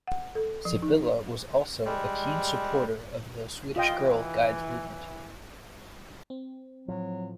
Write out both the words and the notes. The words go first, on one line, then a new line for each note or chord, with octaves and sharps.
Sibylla was also a keen supporter of the Swedish Girl Guides movement.
F#5
A4
F3
D#4
G3 G#3
E3 F4 D#5 G5
C4
A2 F3 F#3